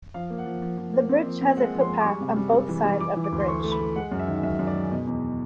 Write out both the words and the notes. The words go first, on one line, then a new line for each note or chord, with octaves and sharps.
The bridge has a footpath on both sides of the bridge.
F3 F5
A#3
F#5
F3
F3
F3
A#3
C4
F3
C4
G#3 F#5
F3
C6
G#3
D6
G3 C#6
C3
G3
G3
E3
G3
E3 D6
E3
D6
D2
C6
A3 C#6
A3
B5
A3
G#3 F#5
F#2
E5
D#3
F#2 E5
F#2
D5
G#3
B2 D#5
E2